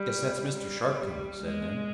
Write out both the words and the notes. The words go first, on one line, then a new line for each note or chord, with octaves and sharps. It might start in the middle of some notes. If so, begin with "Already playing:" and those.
"Guess that's Mr. Sharp coming," said Ned.
Already playing: G3
G3
G#3